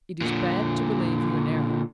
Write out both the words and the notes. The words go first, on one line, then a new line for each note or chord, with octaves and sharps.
'It is bad to believe you in error.
A#2 D3